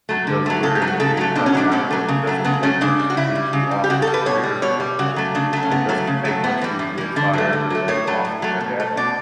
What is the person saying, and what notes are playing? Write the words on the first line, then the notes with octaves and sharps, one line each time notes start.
because we're in an age right now where it doesn't take much to get you off your career, uh, mode, it doesn't take much for you to get fired, or laid off, or what have you,
F#3 A3
D3
F#3 A3
C#3 A4
G4
F#3 A3
F#4
C#3 A4
F#3 A3
B2 D4
C#4
F#3 A3 D4
B2 C#4
F#3 A3
C#3
F#3 A3
C#3 B3
F#3 A3 C#4
C#3 D4
G3
F#4
C#3 E4
G3
C#3
G3
G4
C#3 F#4
A4
G3
B4
B2 C#5
G3
B2 C#5
G3
C#3 F#4
F#3 A3
C#3 D4
F#3 A3
C#4
C#3 B3
F#3 A3
C#3
F#3 A3
A2 B3
E3 G3
A2
E3 G3
D3 D4
F#3 A3
D3
F#3 A3
A2 C#5
F#3 A3
A2
F#3 A3
B2
A3
B2 D5